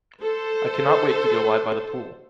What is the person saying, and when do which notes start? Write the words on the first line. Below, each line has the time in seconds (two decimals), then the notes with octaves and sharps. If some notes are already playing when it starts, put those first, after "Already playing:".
I cannot wait to go lie by the pool.
0.21 A4 C5